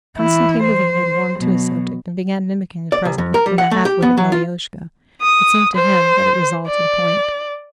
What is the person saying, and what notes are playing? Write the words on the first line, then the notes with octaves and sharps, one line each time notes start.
Konstantin Levin had warmed to his subject, and began mimicking the president and the half-witted Alioshka: it seemed to him that it was all to the point.
E3 E4
C5
B2 F#3
D5
C2
F2
A#4
G3
F#5
A3
G4
B3
F#3
F4
D#6
C5
D5